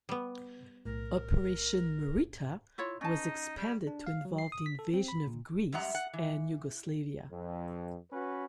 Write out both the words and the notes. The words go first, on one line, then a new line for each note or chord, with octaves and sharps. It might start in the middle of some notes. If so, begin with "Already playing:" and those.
Operation "Marita" was expanded to involve the invasion of Greece and Yugoslavia.
G3 B3
B1 A2 A#4
E4 F4 C#5
C#4 D#4 A5
G3
D4
F5
F#3
C7
D#6
B6
A4
C4
B5
A#2
F#2 G3 G#3 E5 F#5 A#5
F#5
E3
F2
C#4 F#4 B4